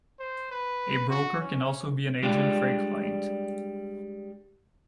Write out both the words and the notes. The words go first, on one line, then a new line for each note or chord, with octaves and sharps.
A broker can also be an agent for a client.
C5
B4
F#4
C#4
G3 G#3 D4 F4 G4